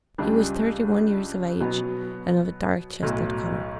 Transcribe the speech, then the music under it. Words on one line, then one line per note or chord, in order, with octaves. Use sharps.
He was thirty-one years of age and of a dark chestnut color.
C#2 C#3 G3 D4
B2 F#3 B3
B1 A2 F#3